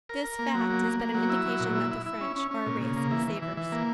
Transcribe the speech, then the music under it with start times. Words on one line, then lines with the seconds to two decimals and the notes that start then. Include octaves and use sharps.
This fact is but an indication that the French are a race of savers.
0.09 A#4
0.24 A#4
0.39 A#3
0.55 F#3
0.70 A#3
0.85 A#3
1.00 A#3
1.15 F#3
1.30 E4
1.46 F#3
1.60 A#2
1.75 E4
1.91 E4
2.06 E4
2.21 C#4
2.36 C#4
2.51 C#4
2.66 A#2
2.81 C#3
2.96 A#3
3.11 E3
3.28 E3
3.42 E3
3.57 E3
3.72 A#3